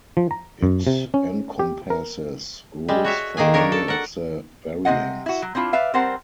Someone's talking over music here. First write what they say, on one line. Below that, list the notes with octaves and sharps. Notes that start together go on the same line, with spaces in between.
It encompasses rules from many of the variants.
F3
A#5
F#2
C3
C#4
G4
A#4
G3 G#3
F#4 C#5 E5
D#3 A#3 G#4 G#5
D4 A#4 C#5
A4
A#4 F#5
C3 A3 C4 D#5 F#5
E4 F#4
F#3
C4 D4 E4 F4
B4 D5 E5 F5
G3 C4 A#4 C5 F#5